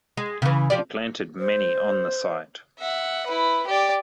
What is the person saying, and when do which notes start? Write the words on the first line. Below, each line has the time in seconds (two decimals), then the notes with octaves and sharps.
He planted many on the site.
0.17 G#3
0.42 C#3 E3
0.70 F3 G4 D5
1.39 C5
2.79 E5 F#5
3.26 E4 B4
3.67 G4 D5